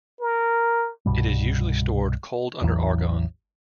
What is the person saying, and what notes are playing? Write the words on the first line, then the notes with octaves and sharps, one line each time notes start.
It is usually stored cold under argon.
A#4
C2 G2 B2 G3
A1 E2 E3 F#3